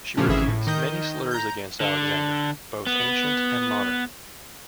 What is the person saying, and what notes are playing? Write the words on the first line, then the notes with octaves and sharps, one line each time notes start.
She refutes many slurs against Alexander, both ancient and modern.
A#2 C#3 F3 A3 C#4 D4
G#1 E3 C#4 G#4 E5
A2
D#3 D#5 G6
A#5 G6
D3
B3